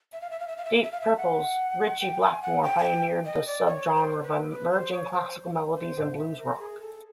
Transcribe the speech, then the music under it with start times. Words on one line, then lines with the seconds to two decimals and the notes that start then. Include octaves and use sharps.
Deep Purple's Ritchie Blackmore pioneered the subgenre by merging classical melodies and blues rock.
0.13 E5
0.21 F5
0.31 E5
0.40 F5
0.48 E5
0.57 F5
0.65 E5
0.75 F5
0.83 E5
0.92 F5
1.01 E5
1.17 F#5
2.00 G5
2.21 G#5
2.42 F#5
2.63 G5
2.79 G#5
2.83 G5
3.25 D#5
3.47 D5
3.67 C#5
3.95 C5
4.23 B4
4.51 B4
4.71 C5
4.92 C#5
5.13 C5
5.75 C5
6.17 E5
6.39 A#4
6.59 G#4
6.80 A4